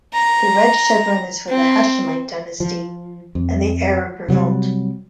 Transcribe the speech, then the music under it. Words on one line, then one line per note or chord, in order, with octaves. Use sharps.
The red chevron is for the Hashemite dynasty, and the Arab Revolt.
A#5
C4
F3
F2
C3 F#3 G3